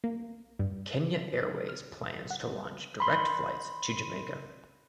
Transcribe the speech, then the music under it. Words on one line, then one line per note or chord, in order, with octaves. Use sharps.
Kenya Airways plans to launch direct flights to Jamaica.
A#3
G2
F6
F#5
B5 C6